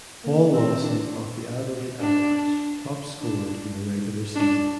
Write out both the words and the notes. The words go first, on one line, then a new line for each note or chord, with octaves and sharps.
Paul Lawson of the Adelaide Avalanche top scored in the regular season.
A#3
C4
D4
D4
D4
D4